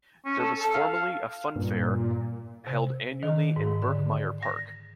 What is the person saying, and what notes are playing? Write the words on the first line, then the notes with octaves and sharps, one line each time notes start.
There was formerly a funfair held annually in Birkmyre Park.
C#4
A4
A4
F5
G2 A#2
C3
D#3
G#2
D3
A#6